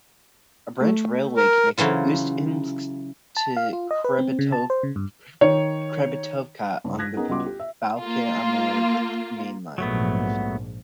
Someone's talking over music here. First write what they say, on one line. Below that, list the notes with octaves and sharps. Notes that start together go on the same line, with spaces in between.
A branch railway connects Ust-Ilimsk to Khrebetovka on the Baikal-Amur Mainline.
A3
A#4
C#3 E3 F#3 F4
A5
F5
F4
D#5
B4
C4
C#3
A5
C5
C#3
G2
D#3 C#5
G2 C#3 C#4
F#6 G#6 A#6 B6
B3 C#4 D#4 G#4 A#4
C#2 G3 B3 F#4 C6 D6
G4
E5
A#3 F4
A#1 G#2 F#3 A3 B3